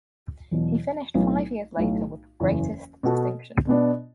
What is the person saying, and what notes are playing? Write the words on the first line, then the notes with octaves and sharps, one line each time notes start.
He finished five years later with greatest distinction.
E1 E2 B2 F#3
B1 A2 F#3 B3
B1 A2 A3
F#1 E2 E3
B2 B3 F#4 A4
B2 B3 D4